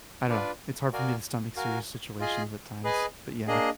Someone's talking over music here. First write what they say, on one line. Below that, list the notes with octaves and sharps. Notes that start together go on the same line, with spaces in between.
I don't know. It's hard for me to stomach serious situations at times. But, yeah
D4 F4 B4 D5
F#4 A#4 D5 F5 G#5
F#4 A#4 F5 G#5
F4 G#4 D#5 G#5
G#4 B4 D#5 G#5
A#3 D4 G#4 D#5